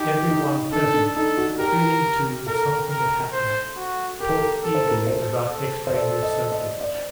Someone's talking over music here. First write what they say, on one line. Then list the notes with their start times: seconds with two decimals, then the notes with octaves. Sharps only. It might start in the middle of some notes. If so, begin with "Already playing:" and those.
Everyone present, feeling too that something had happened, talked eagerly about extraneous subjects.
Already playing: D#4 G4
0.29 D#4
0.72 D4 A4
0.94 D4
1.16 D#4 A4
1.38 F#4
1.59 G4 A#4
2.46 A4 A#4
2.89 A#4
3.33 C5
3.76 F#4
4.20 G4 A#4
4.29 A4
4.38 A#4
4.63 A4 A#4
4.75 C5
4.86 A#4
5.02 A#4
5.06 A4 C5
5.50 A4
5.87 C5
5.94 A4 D5
6.22 D#5
6.51 D#5
6.81 D5